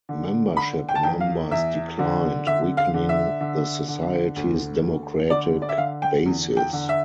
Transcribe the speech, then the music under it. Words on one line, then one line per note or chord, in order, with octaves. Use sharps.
Membership numbers declined, weakening the society's democratic basis.
D3
D3 B5
G5
A5
E2 G5
F5
E2 E5
D3
D3 E5
F5
D3
E5
D3
D3
D2
D2
D3 D5
D5
E5
D3 F5
G5
E2
G5
D3
E5